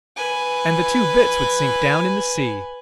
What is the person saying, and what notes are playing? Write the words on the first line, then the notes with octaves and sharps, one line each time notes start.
"And the two bits would sink down in the sea!"
B4 G#5